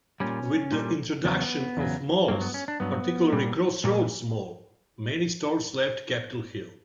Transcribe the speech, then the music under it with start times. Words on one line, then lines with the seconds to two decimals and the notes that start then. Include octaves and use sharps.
With the introduction of malls, particularly Crossroads Mall, many stores left Capitol Hill.
0.20 A#2 G3 C#4
0.72 A#2 G3
1.25 E2 C#3 F#3 B3
1.77 E2 C#3 F#3
2.28 G2 F#3 A#3
2.41 B3
2.54 C#4
2.68 D4
2.80 G2 F#3 B3
3.32 A#2 G3
3.84 A#2 G3 A#3